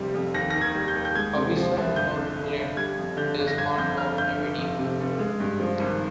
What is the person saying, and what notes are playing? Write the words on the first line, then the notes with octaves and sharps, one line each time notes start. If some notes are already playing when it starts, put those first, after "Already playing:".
"Avisa Nordland" is part of Amedia.
Already playing: F1 F2 C3 G3
F2
D#2 A#6
D#3 A#6
G#6
G3
G6
D#2
G6
G#3 G#6
C3
F3
C2
G1 G6
F2
D3
G1
G3 G#6
F2
D3 G6
G1
A#6
G1 G#6
F2 G6
D3 F6
G1 G6
F1
F2
C3
F1
G#3
G2
F3
G#1